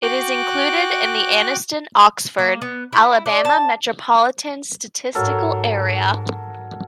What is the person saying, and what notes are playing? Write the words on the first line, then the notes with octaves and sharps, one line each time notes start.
It is included in the Anniston-Oxford, Alabama Metropolitan Statistical Area.
F#4 G5 D6 F#6
A#3
B3
E4
D4
A5
G#2 F#3 A4 A#4